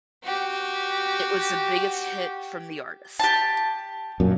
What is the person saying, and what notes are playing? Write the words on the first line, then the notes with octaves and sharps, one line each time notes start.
It was the biggest hit from the artist.
F#4 G4
G4 A5
F#2 A#2